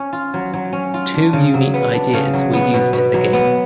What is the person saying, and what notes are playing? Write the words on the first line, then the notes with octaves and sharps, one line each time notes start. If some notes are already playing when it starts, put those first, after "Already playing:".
Two unique ideas were used in the game.
Already playing: C#4
F4
F#3
F#3
C#4
F4
D4
C#3
F#3
B3
D4
C#3
F#3
B3
B2
B2
F#3
B3